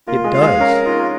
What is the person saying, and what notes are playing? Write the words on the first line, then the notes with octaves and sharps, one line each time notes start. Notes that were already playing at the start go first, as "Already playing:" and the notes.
"It does."
A#3 F4 A#4
G#3 G#4
F5
G#3 G#4
C#4 A#4 C#5
D#4 F4 D#5